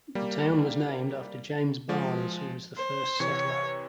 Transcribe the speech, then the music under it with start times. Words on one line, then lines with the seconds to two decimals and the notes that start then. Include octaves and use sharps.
The town was named after James Barnes, who was the first settler.
0.15 G3 A#3
1.89 F3 G#3
2.77 C5
3.19 C3 E3 C#5